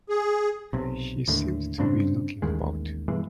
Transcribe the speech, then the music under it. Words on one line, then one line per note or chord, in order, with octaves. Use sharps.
He seemed to be looking about.
G#4
B1 C3
D#2 A2 D3
G2 C#3 C4 D4
A1 D#2 D#3 G#3
G2 B2 E3 G#3